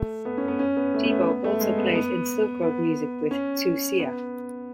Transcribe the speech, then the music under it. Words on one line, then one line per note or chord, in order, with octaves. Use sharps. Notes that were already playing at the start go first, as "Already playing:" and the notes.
Thibault also plays in Silk Road Music with Qiuxia.
Already playing: A3
B3
C#4
B3
C#4
B3
A3
A3
B3
B3
A3
G#3
B3
B3
B3
C#4
B3